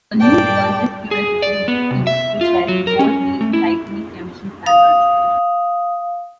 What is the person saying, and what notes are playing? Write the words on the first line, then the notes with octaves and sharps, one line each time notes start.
A new returnless fuel system was used which helped Ford meet tightening emission standards.
G2 A#2 D5 G5 A5
G#4
D5
B3
C3
E5
F4
F#3
A#4
C#4
A3
E4
F5 D#6